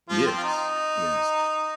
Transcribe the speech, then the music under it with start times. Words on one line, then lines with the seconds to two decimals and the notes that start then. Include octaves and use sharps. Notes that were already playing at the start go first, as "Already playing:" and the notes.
Yes, yes,
0.09 F3 F4
0.26 C4
0.37 F4
0.43 D#4